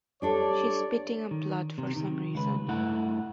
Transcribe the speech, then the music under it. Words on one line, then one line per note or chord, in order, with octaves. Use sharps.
She's spitting up blood, for some reason.
G3 D4 A4 C#5 D5
D#3
C3
D#3
C#2 B4
G2 A3 E4 F#5